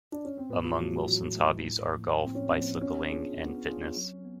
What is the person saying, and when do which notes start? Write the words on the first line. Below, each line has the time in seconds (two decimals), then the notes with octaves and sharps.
Among Wilson's hobbies are golf, bicycling, and fitness.
0.12 D4
0.25 C#4
0.37 C4
0.50 A2 B3
0.64 F3
0.79 E3 F#3 A3
0.93 F#3
1.08 A2 F#3
1.36 E3 A3
1.66 A2
1.94 F3 A#3
2.23 A2 C4
2.35 C#4
2.47 C4
2.53 F3 A#3
2.81 B3 C#4
3.10 D4 F4 G#4
3.38 B3
3.68 D4 F4 G#4
3.97 F#3
4.25 B3